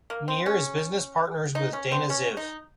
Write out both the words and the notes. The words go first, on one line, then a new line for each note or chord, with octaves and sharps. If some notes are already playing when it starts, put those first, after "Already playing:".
Nir is business partners with Dana Ziv.
A#3
C4
C#4
D#4
C#4
C4
C#4
D#4